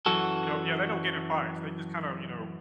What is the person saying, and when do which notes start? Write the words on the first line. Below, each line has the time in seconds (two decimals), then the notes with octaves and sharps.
you know yeah, they don't get in fights, they just kinda, you know,
0.06 F#2 E3 F#3 F#4 A4